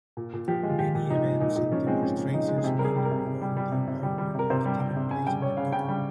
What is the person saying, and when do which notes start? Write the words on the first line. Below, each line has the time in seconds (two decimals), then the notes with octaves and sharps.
Many events and demonstrations mainly regarding the environment have taken place in the park.
0.17 A#2
0.34 A#2
0.48 F3 G4
0.63 G#3
0.69 F4
0.79 A#2 G4
0.95 A#2
1.09 F3 D#4
1.25 G#3
1.40 A#2 D#4
1.56 A#2 D#4
1.72 F3 C#4
1.87 G#3 C4
2.02 A#2 C#4
2.18 A#2
2.34 F3 D#4
2.48 G#3
2.58 G#4
2.64 C3 G4
2.79 G3 A#4
2.85 G#4
2.96 G3
3.05 A#4
3.11 C3
3.27 C3
3.42 G3
3.57 G3
3.72 C3
3.88 C3
4.03 G3
4.18 G3
4.35 C3 A#4
4.50 C3 C5
4.65 G3
4.80 G3 G5
4.96 C3
5.11 C#3 G#5
5.27 G3 G5
5.42 G3 C#5
5.57 C#3 F5
5.72 C#3 G5
5.89 G3